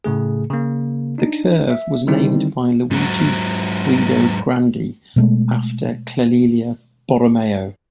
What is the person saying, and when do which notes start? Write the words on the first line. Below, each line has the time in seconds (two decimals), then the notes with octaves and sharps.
The curve was named by Luigi Guido Grandi after Clelia Borromeo.
0.04 A2 C#3 A3 G#4
0.50 C#3 A#3
1.18 D4 D#4
1.70 E5
2.07 D3 D#3 G3 C4 D#4 E4
2.91 G#2 F#3
5.16 B2 G#3 A3